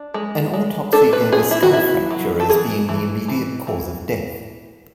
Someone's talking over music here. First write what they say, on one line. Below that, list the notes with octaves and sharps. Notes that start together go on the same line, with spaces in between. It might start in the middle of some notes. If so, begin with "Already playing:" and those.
An autopsy gave a skull fracture as being the immediate cause of death.
Already playing: D4
G#3
G#3
D4 A4
B4
B3 G#4
E4
F#4
B3 E4
F#3
A4
E3 G#4
E3
E3
E3